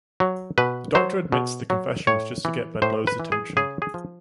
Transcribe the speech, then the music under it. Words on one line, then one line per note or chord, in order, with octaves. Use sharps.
The Doctor admits the confession was just to get Bedloe's attention.
F#3
B2 B4
F#3 C5
B2
F#3
A2 C#5
E3
A2 C5
B4
E3
G#4
C#3 G#4
G#4
F3